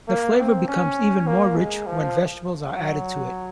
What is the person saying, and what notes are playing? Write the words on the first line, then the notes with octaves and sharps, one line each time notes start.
The flavour becomes even more rich when vegetables are added to it.
A#3
C4
C#4
A#3
G#3
F3
F#3